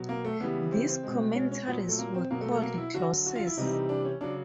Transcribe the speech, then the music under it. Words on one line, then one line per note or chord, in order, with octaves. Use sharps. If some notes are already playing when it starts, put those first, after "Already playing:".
These commentaries were called glosses.
Already playing: B2 F#3
A#3
A3
C#3 E3 G3 B3
C4
C4
B2 G#3
C#4
C#4
A#2 F#3 B3
A3
A#3
C4
B2 F#3 A#3
A3
A3
A#3
E4
D3 F#3 F#4
F#4
F4
E4
C3 E3 G3 D#4
D#4
D4
C#4
C#3 F#3 D4